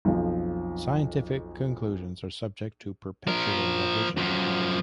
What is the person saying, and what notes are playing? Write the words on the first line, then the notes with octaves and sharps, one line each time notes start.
Scientific conclusions are subject to perpetual revision.
B1 F2 F3
F3 A#4
F#2 F3